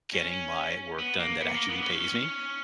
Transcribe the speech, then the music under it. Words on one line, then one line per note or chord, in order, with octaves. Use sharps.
getting my work done that actually pays me,
C#4
B3
A#3
B3
A#3
B3
C#4